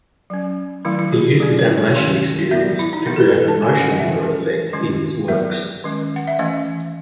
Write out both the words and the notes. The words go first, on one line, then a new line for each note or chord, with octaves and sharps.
He used his animation experience to create a "motion blur" effect in his works.
F#3 C#4
D#3 F#3 A3 E4
E4
G#4
F#3 C#4 G#4
C#5
C#5
D#3 A3 C#4
F#3 B3 E5
E4
D#4
E3 B3 E4
A4
B4
A4
B4
A5
D#3 A3 C#4 G#5
G#5
F#5
D#5
E5
E3 G#3 C#4
D#3 G#3 C#4
F#3 B3 E5
D#3 G#3 C#4
F#5
E5
E3 A3 C#4 D#5